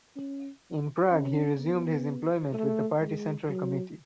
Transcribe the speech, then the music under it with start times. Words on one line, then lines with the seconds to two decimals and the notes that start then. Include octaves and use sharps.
In Prague he resumed his employment with the party central committee.
0.16 C#4
1.12 C#4
1.59 B3
2.54 A3
3.01 G#3
3.49 F#3